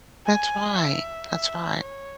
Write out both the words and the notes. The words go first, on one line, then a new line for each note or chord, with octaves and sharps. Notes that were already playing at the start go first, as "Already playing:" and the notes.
That's right. That's right.
G#5
E5
E5
C#5